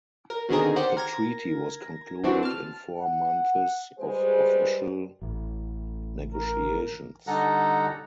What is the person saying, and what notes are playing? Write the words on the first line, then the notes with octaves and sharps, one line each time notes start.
The Treaty was concluded in four months of official negotiations.
A#4
B2 D3 D#3 C4 G#4 A#4
G4 C5 D5 F#5
A#4 G#6 A#6
E3 C4 D4 F#4
A5 F6
F#5
G3 G#3 G#4 B4 C5
A1
A#4
D3 G3 D#4 A4 F#5 A#5